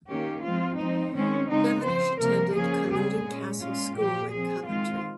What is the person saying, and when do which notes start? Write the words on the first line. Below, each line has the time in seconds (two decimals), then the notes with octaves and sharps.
Devonish attended Caludon Castle School in Coventry.
0.09 D#3 A#3 C#4 G4
0.43 F3 G#3 C4 F4
0.79 F3 C4 D#4
1.14 D#3 G#3 C4 C#4
1.49 C#3 G#3 C4 D#4
1.84 F3 C4 C5
2.19 C3 F3 A#3 A#4
2.55 C#3 F3 A#3 C#4 G#4
2.90 C#3 G3 C4 G#4
3.25 A#2 G#3 C#4
3.60 A#2 G#3 C#4 F4
3.95 A#2 F3 A#3 G4
4.31 F3 C4 G#4
4.66 D#3 G#3 C4 F4